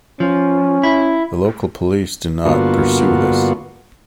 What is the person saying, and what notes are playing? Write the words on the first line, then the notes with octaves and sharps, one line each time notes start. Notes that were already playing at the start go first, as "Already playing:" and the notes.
The local police do not pursue this.
F3 C#4
E4
G2 D3 A#3 B3 F4 F#4